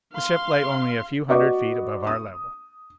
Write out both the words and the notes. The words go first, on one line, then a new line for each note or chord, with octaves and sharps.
The ship lay only a few hundred feet above our level.
F5 C6
F#4 B4 D5 D#5 C#6 D6
D#6